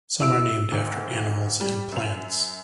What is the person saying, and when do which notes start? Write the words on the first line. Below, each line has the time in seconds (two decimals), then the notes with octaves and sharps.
Some are named after animals and plants.
0.21 E4 E6 D7
0.71 D2 G#2 D#3
1.61 G3
1.92 F#2 F7